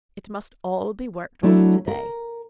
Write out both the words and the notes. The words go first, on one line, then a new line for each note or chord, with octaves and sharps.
It must all be worked off to-day.
F#3 A3 D4 E4
A#4